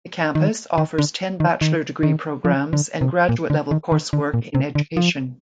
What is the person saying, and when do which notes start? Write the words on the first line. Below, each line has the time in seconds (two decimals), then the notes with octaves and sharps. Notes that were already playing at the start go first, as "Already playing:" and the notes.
The campus offers ten bachelor degree programs and graduate level coursework in education.
0.35 D#3
0.78 D#3
0.98 D3
1.40 D#3
1.61 D#3
2.03 D#3
2.45 F3
2.73 D3
3.01 C3
3.29 A#2
3.50 D3
3.71 D#3
3.92 D#3
4.13 D3
4.34 A#2
4.55 C3
4.75 D3
4.97 F3